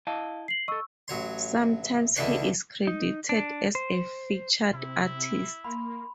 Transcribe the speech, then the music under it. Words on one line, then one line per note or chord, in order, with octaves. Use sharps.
Sometimes he is credited as a featured artist.
E4 D#5 F5 A5
C7 F#7
A4 D#5 C#6 E6
A1 F#3 C#5 C6
C#2 D3 E3 D4 B4 C#5
D#4
D4
C5
C3 E4
A#3 B5 C6